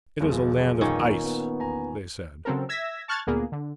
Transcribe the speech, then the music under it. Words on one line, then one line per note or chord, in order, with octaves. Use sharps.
"It is a land of ice," they said.
G1 E2 F3 G#4
A#2 D#3 C#4
B3
E2 G#5 A#5
C#3 F#3 C4 A4 A#4
E5 E6 G#6 A#6 B6
A5 C#6 F6 F#6 G#6 A6
D2 A#2 A#3 B3 G#4
D3